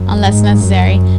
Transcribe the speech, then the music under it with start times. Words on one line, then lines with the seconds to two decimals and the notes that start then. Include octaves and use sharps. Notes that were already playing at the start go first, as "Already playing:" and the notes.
unless necessary,
Already playing: F#2
0.24 G#2
0.61 F#2